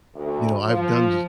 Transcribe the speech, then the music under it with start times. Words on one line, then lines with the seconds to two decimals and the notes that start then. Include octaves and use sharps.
you know, I've done j
0.14 D2
0.65 F3